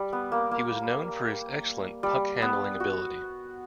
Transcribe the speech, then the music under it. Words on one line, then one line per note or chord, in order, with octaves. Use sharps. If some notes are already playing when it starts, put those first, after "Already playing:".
He was known for his excellent puck-handling ability.
Already playing: G3
B3
A#3
A#3
G3
B3
F#4